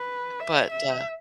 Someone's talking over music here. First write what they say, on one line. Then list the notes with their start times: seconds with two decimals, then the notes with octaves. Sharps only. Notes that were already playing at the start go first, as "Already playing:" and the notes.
But, uh,
Already playing: B4
0.40 E5
0.70 E5